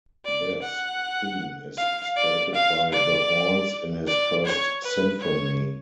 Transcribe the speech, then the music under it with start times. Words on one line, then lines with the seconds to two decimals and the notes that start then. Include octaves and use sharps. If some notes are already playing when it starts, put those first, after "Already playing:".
This theme is stated by the horns in his first symphony.
0.25 D5
0.63 F#5
1.77 F5
2.16 D5
2.54 F5
2.92 D5
4.07 D5
4.45 C#5
4.84 B4
5.21 C#5